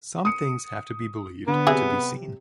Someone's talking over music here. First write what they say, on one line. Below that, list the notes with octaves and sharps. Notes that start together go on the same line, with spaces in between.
Some things have to be believed to be seen.
D#6 C#7
D3 B3
C3 F#3 G#4 E5